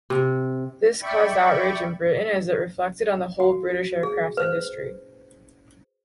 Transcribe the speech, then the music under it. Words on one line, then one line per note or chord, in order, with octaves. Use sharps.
This caused outrage in Britain as it reflected on the whole British aircraft industry.
C3
D5 E5 G5 B5 C#6
F#4
G#4
B4 C5